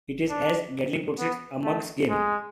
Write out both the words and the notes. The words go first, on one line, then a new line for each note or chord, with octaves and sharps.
It is, as Gadling puts it, a mug's game.
D4
B3
A3
G#3